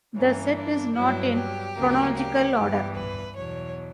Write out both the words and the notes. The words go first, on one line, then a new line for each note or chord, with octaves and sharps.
The set is not in chronological order.
G2 E3 A#3 C#4
D4
G2 F#3 B3 E4
G4
D2 C#3 F#3 A#3
G4
G2 E3 B3
B4
E2 B2 F#3 C#5